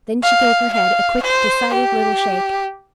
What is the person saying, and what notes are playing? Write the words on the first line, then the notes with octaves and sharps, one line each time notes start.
Then she gave her head a quick decided little shake.
F5
F5
C5
G4